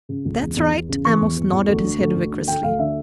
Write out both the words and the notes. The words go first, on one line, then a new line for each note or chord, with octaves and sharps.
"That's right," Amos nodded his head vigorously.
C#3
C#2
E2
E2
E2
C#3
E3 C#6
E2
E3
E2
D2
D3
D2
D2
D3
D3 G5
D2 F5
D3 E5